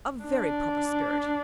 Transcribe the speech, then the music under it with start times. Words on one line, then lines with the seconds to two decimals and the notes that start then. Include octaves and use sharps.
A very proper spirit!'
0.24 D4